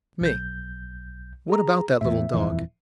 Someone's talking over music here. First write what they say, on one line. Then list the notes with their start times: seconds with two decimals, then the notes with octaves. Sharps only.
ME: What about that little dog?
0.21 B1 G6
1.50 G#4 A#5
2.01 E2 A2 E5
2.34 D#1 F2 E3